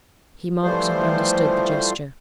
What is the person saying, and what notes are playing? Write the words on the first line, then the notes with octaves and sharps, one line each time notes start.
He marked and understood the gesture.
E3 F3 G3 A3 C5